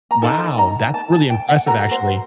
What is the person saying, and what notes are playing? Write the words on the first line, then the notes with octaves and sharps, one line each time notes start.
Wow, that's really impressive, actually.
A#5
D#4 A4 A5
A#5
A5
A5
G5
F#5
F#4 A4 A#5
C5